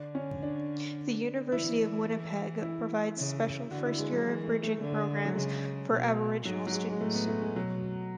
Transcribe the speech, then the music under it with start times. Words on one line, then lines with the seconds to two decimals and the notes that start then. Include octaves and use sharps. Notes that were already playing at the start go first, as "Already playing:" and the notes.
The University of Winnipeg provides special first-year bridging programs for Aboriginal students.
Already playing: D3 D4
0.15 C#4
0.42 D4
1.51 E3 E4
2.62 E4
3.17 C#3
3.71 D3 F#4
3.85 E4
3.98 G#3
4.12 F#3
4.26 E3 G#3
4.44 A3
4.63 A3
4.81 D3 A3
5.25 F#3
5.35 C#3 G#3
5.91 B2
6.45 G#2 F#3
6.67 F#3
6.73 G#3
6.90 G#3
7.01 A2 A3
7.15 B3
7.28 A3
7.42 G#3
7.56 B2 F#3